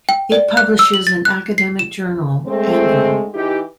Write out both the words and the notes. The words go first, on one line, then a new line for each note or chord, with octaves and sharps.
It publishes an academic journal "Anvil".
G5
D5
F#6
E6
F#7
A6
F#6
C7
E7
G#3 A3 C4
E3 D#4 E4 G4